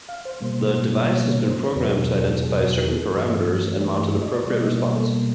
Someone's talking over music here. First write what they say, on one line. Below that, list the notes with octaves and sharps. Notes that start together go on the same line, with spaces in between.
The device has been programmed to identify certain parameters and mount an appropriate response.
F5
C5
B2 G3 A#3
C#5
C5
E2 B2 F#3 B4
A#4
G#4
A4
G#4
F#4
G4
A4
G#4
G2 E3 A3 A4
G4
G4
G4
G#4
D#5
D5
B2 G3 A#3 D5
D#5
D5
A4